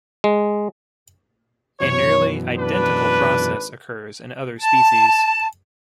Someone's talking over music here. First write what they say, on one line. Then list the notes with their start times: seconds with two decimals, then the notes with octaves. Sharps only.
A nearly identical process occurs in other species.
0.24 G#3
1.81 F#2 B2 E3 C#5
2.57 G#1 D4 B4
4.60 A5